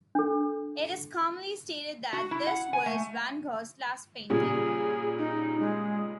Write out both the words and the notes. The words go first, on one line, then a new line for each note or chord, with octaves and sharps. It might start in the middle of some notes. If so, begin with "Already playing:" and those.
It is commonly stated that this was van Gogh's last painting.
D4 A4
F#4
E4
F#5
G#5
A3
A#2 C#3 G3 G#4
D#4
G#3